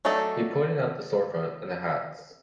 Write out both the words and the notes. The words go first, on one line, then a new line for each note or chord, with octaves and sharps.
He pointed out the storefront and the hats.
F#3 A3 D4 D#4 A4